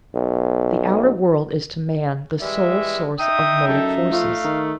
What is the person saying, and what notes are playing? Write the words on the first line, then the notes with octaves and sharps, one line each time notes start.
The outer world is to man the sole source of motive forces.
B1
E3 G3 G#3 E5
D#4 E5 G5 D#6
F#2 A4
F3 A3 F5
D#3